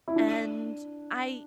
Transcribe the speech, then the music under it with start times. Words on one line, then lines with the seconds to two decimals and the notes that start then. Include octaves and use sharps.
and I
0.08 E4
0.16 D4